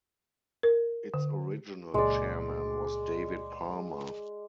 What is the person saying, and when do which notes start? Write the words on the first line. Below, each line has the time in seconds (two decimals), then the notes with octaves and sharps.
Its original chairman was David Palmer.
0.63 A#4
1.14 D3
1.94 C#2 A#2 G#3 D5